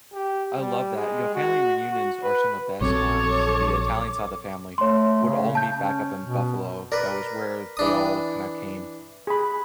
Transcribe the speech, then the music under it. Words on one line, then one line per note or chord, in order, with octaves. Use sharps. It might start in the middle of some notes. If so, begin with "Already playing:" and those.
I love that, you know, family reunions are some of best times. The Italian side of the family would all meet back up in Buffalo, that was where they all kinda came
G4
G3
G#3
F#4
F#4
B4
A#1 F#3 C4 A4 C#5 D6
A3 C#5 C6
C#3
A5 G6
C#4
B2
A#4 B4 D5
E3 D4 D#6
G#4 B5